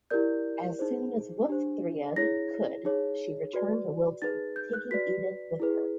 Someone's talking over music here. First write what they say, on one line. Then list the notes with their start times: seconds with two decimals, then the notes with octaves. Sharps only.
As soon as Wulfthryth could, she returned to Wilton, taking Edith with her.
0.10 E4 G4 A#4 D5 G6
0.79 D#4 G#4 C5
1.48 D4 G4 C5
2.16 E4 G#4 C#5 A#6
2.85 D#4 G#4 C#5
3.53 F#4 B4 D5
4.22 D#4 G#4 B4 A6
4.56 G6
4.73 F#6
4.91 F#4 B4 D5 B6
5.60 E4 G#4 B4